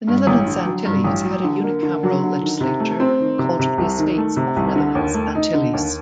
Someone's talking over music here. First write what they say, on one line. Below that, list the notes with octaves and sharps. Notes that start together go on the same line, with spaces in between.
The Netherlands Antilles had a unicameral legislature called the Estates of the Netherlands Antilles.
G2
A1
D3
F#3
G2
A1
F#3
D3
A#3
D3
F#3
D3
D#3
C3
A3
C4
D#3
C3
C3
C2
D#3
A3
C3
C2
D3
D#2
A3
D#4
D3
D#2